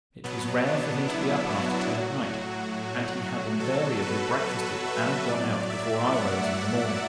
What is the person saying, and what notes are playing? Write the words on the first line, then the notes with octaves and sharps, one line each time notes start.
It was rare for him to be up after ten at night, and he had invariably breakfasted and gone out before I rose in the morning.
B2 F#3 B3
D4
E4
F#4
A2 F#3
B2 F#3 A4
B4
B4
E5
A2 F#3 D5
E5
F#5
E5